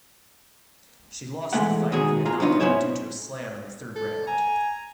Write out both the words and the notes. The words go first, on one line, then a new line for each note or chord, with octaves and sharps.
She lost the fight via knockout due to a slam in the third round.
E2 G#3 A3 F#5
B2 D#3 G#3 F#4 G#4
F4 G#4 A#5
F#3 B3 D4 D#4 F4
B3 C#4 E4 C5 C#5
A4
G#5 A#5